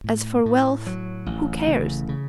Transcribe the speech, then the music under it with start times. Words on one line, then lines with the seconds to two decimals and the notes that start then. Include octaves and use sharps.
As for wealth, who cares?
0.04 A2
0.46 A2
0.87 F#3
1.26 A1
1.67 C#3
2.09 C#3